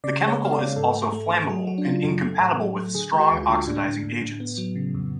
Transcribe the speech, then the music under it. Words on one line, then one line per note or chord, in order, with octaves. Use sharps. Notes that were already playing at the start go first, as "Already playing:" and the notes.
The chemical is also flammable and incompatible with strong oxidizing agents.
C#3 D5
G#3
C#5
B3 F5
D5
C#3
G#2 A4
A3
A3
A3
F#3 G#4
F#3 F#4
D4
C#3 F4
F#2
A3
A2
F#3
A3
D3 G#4
G#3
F#4
D2
F4
D3
A2 D4
A2
A2
A2
B3
F#3
C#3
F2